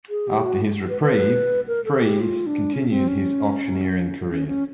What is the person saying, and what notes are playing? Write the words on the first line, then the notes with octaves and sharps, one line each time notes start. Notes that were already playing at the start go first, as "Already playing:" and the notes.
After his reprieve, Fries continued his auctioneering career.
G#4
G4
F#4
B4
B4
A#4
A4
G4
F4
D4
C#4
C4
C#4
C#4
C#4